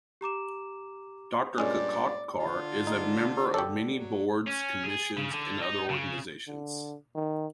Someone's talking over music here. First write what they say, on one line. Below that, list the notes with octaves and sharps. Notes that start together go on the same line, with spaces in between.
Doctor Kakodkar is a member of many boards, commissions, and other organizations.
G4 A#5 D6 E7
G2 A#2 G#3 C#4 D5
D3 F4
D#4
G4 A4
F#3
C#4
G#4
C#3
D3
D#4
C#3
D3
D#3